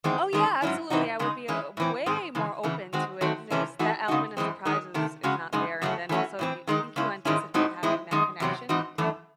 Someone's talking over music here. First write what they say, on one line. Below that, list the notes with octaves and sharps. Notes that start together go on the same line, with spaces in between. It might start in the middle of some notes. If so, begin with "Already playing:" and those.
Oh, yeah, absolutely, I would be a a way more open to it, there's that element of surprise is is not there, and then also, yo I think you anticipate having that connection, too,
E2 D#3 G#3 C4
D#3 G#3 C#4
G#2 F#3 C#4 E4
C3 E3 C4 D#4 F#4
C#3 G#3 D#4
E3 G#3 C#4 E4
A2 E3 C4
G#2 D#3 G#3 C4
C#3 E3 G#3
E2 C#3 E3
D#3 G#3 C4 F#4
D#3 F#3 A3 C4 F#4
C3 E3 A3 C#4 E4
E3 A3 D#4 F#4
C#3 G#3 D#4 F#4
F#2 E3 G#3 C4
D#3 G#3 D#4
C3 D#3 A3
C#3 G#3 C#4 F#4
F#2 C#3 G#3 D#4
F#2 C#3 F#3 A3
E3 A3 C#4 F#4
A2 E3 C4
D#3 G#3 D#4
C#3 G#3 C#4 E4
G#2 D#3 G#3 C#4 E4
A2 G#3 C4 D#4 F#4
A2 E3 G#3 C4 E4
F#2 D#3 G#3 D#4
E2 C3 F#3 C4
G#2 E3 C4 D#4 F#4
F#2 E3 A3